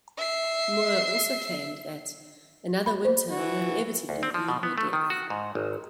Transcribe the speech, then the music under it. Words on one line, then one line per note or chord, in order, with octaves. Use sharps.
Moore also claimed that "another winter will inevitably be her death".
E5 C7
B5
C5
E3 F#4
D2
C4
F3
B2
B3
A3
D#3
F#4
G#2
G#1